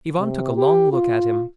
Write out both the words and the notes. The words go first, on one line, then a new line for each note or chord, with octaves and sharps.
Ivan took a long look at him.
C3
G4
F4